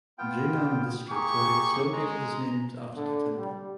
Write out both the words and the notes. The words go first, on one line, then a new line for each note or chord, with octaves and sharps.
Jing'an District, where it is located, is named after the temple.
B3 F4 G5
A#3 G4 G#4 C#6
G#3 A#5
D3
G3